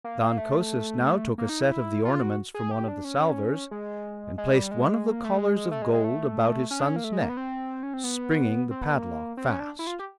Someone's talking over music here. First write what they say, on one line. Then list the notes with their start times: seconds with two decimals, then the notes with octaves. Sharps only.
Than Kosis now took a set of the ornaments from one of the salvers and placed one of the collars of gold about his son's neck, springing the padlock fast.
0.04 A#3
0.22 A#3
0.38 A3
1.38 A#3
1.49 D#4
1.61 E4
2.05 F4
2.21 F#4
2.54 G#4
2.71 G4
2.88 D4
3.04 C#4
3.71 G#3
4.38 G#3
4.54 G3
4.71 G#3
5.11 A#3
5.24 A3
5.38 G#3
5.71 A3
5.82 G#3
5.93 G#3
6.04 A3
6.71 C#4
6.80 D4
6.87 C#4
6.96 A#3
7.04 A3
7.12 G#3
7.21 A#3
7.29 B3
7.37 C4
7.83 C#4
7.94 C4
8.04 B3
8.71 C4
8.82 B3
8.93 A#3
9.37 C4
9.48 C#4
9.60 D4
9.79 E4
9.87 F4
9.99 G4